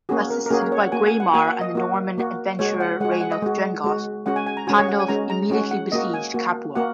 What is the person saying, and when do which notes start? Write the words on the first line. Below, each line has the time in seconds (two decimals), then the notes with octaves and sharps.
Assisted by Guaimar and the Norman adventurer Rainulf Drengott, Pandulf immediately besieged Capua.
0.09 A#3 C#4 F#4 G#4
0.30 A#4
0.46 A#4
0.50 A#3 C#4 F#4 G#4
0.62 A#4
0.72 C#5
0.82 F#5
0.92 A#3 F#4 G#5
1.07 G#5
1.20 F#5
1.34 A#3 F#4 G#5
1.48 F#5
1.61 D#5
1.75 A#3 F#4
2.18 A#3 F#4
2.59 G#3 F#4 C#5
2.80 F#5
3.00 G#3 F#5
3.05 F#4
3.12 G#5
3.21 F#5
3.31 D#5
3.42 G#3 F#4
3.84 G#3 F#4
4.26 G#3 C#4 F#4 F#5
4.36 G#5
4.47 G#5
4.57 A#5
4.67 G#3 C#4 F#4 G#5
4.78 C#5
4.88 F#5
4.99 G#5
5.08 G#3 C#4 F#4 A#5
5.30 A#5
5.50 G#3 C#4 F#4
5.71 F#5
5.92 A#3 F#4 D#5
6.14 G#5
6.34 A#3 F#4
6.75 A#3 F#4 F#5